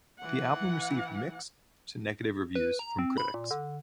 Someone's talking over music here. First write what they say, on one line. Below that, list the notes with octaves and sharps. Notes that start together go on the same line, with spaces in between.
The album received mixed to negative reviews from critics.
E3 F#5
B4
A#5
C4
B5
A#2
D3